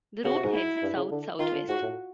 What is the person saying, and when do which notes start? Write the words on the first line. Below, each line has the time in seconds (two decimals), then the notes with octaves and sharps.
The route heads south-south-west.
0.24 C#3 F#4
0.34 C3
0.43 G#2
0.53 E4
0.82 G2
0.96 C#3
1.11 D3
1.39 D#3 F4
1.54 D3
1.68 G#2 F#4
1.82 A2